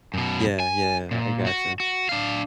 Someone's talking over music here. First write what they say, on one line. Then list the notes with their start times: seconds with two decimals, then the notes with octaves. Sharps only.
Yeah, yeah, I I gotcha.
0.14 F#2 B2
0.60 G#5
1.11 A#2
1.47 F#4
1.80 F#4
2.09 D4 F5